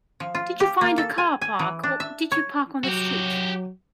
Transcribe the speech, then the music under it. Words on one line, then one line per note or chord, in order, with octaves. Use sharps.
Did you find a car park, or did you park on the street?
F3
F4
G4
A#3
A4
G#5
G#5
E3
D4
E5
C#5
F#3 F#4 G4